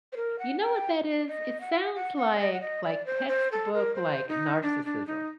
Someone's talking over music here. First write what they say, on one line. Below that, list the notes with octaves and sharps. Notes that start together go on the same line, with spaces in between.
you know what that is? It sounds like like textbook, like, narcissism,
C5
A#4
F#5
G5
D#5
F#5
F#5
F#5
D5
D#5
F#5
D#5
D5
C5
C5
A4
A#4
C5
D#4
D4
D4
D#4